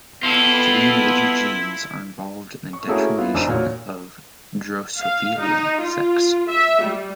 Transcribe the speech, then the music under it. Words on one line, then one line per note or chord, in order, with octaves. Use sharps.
Three major genes are involved in determination of "Drosophila" sex.
B3 E4 F4 A4
C#6
A3 A#3 C#4 E4 F#4 G#4
B3 E4 F4
F#1 E2 D4 D#4 C5 E6
A#2 F#4 C#5
F5
D#4
F4
E5
G3